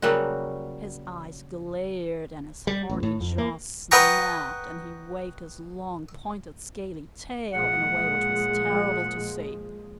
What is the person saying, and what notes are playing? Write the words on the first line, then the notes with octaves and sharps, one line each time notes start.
His eyes glared and his horny jaws snapped, and he waved his long, pointed, scaly tail in a way which was terrible to see.
C#3 F#3 G3 A#3 F#4
G3
A1
A2
F2
A#3
B4 D#5 F#5 G5 A#5 C#6
A#2 F3 G#3 F#5